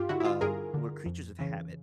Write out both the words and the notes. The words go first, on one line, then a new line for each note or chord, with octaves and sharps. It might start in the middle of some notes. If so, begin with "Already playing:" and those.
uh, we're creatures of habit,
Already playing: G2 F4 G4
D3 E4 F#4
E4
F4
G2 G#4 A#4
D3
F2
C#3 E3